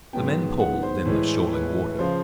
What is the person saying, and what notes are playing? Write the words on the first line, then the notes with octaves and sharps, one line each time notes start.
The men poled in the shoaling water.
G#2 D#3 F#3 B3 G5
F#5
C5
A2 E3 G#3
B4
C#3 F3 C5